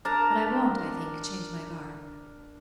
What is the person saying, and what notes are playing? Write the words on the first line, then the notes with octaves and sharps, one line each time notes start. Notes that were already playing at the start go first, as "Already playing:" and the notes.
But I won't, I think, change my garb.
D4 A#4 A5 A#5